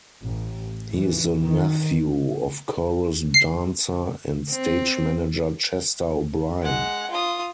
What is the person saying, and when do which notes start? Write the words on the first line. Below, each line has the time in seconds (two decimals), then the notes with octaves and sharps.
He is the nephew of chorus dancer and stage manager Chester O'Brien.
0.22 A1
0.93 E3
1.42 D#3
3.34 C7
4.51 C4
6.61 G#3 F#5
7.11 F4 D#6